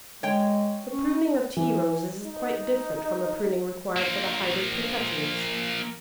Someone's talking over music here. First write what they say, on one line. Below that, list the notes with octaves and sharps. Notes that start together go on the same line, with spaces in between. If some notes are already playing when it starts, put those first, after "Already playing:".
The pruning of Tea Roses is quite different from the pruning required for the Hybrid Perpetuals.
G#3 C#5 G5
C#4
E3
D#4
F3 A#3